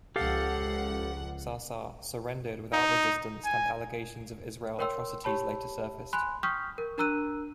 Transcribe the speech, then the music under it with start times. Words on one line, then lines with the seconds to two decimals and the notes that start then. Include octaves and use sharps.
Sa'sa' surrendered without resistance and allegations of Israeli atrocities later surfaced.
0.16 C#2 F3 G4 A4 F5 F#5
2.73 D#4
3.45 G#5
4.79 A#4 C#5 G5 C6 E6
5.24 G4 C#5 A5 B5
6.13 G#5 B5 C6 F#6
6.43 G5 C#6 D#6 F6 G6 B6
6.78 A#4
6.98 D4 A#4 A#5 E6 F#6 D#7